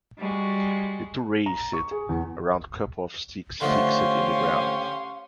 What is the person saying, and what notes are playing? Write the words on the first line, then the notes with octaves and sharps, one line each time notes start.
The two raced around couple of sticks fixed in the ground.
G3 G#3 F#4
A#5
C#6
G#4
E2
D3 F3 A3 C#4 G4 C#5 F5 C6